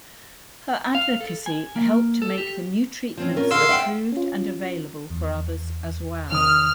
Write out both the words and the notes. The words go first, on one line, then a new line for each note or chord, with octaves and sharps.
Her advocacy helped make the new treatments approved and available for others as well.
F5
A4
G#5
A#3
A4
G4
F3 C4 C#4
C#4 F4 A#4
D3 G#4 A#4 F5 C6 E6
E5 F#5 G5
C#4 F4
E2
C3 D#3 D#6 F6